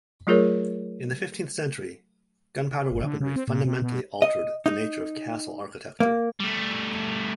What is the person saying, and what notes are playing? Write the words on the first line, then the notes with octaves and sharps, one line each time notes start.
In the fifteenth century, gunpowder weaponry fundamentally altered the nature of castle architecture.
F#3 A3 F4 G#4 A#4 C#5
G1
D3
C#3
C4
A#2
C3
B2
D#5
D#4
A#3
G3 A3